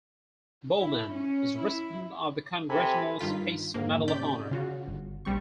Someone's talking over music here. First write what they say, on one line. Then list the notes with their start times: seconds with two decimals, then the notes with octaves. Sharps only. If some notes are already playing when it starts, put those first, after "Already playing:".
Borman is a recipient of the Congressional Space Medal of Honor.
0.80 E4
1.13 C#4
1.58 E4
2.70 C3 A4 G#5 B5
3.19 G2 D#3 F4 B6
3.74 F2 G#2 D3 A#3
4.08 C3 C#4 D5 G6 B6
4.51 C#3 F4 F#4
4.87 G1
5.25 A#1 G3 C4 C#6